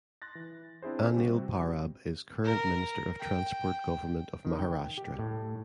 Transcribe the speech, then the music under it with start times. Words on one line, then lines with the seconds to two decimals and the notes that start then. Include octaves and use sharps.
Anil Parab is Current Minister of Transport Government of Maharashtra.
0.22 C6 F#6 A6 A#6
0.35 E3
0.82 C4 D4 E4 G#4 C5
1.16 C3 G3 C4 F#4
2.44 A#4
3.20 G5
4.45 D#3
4.59 G5
4.98 G4
5.19 A2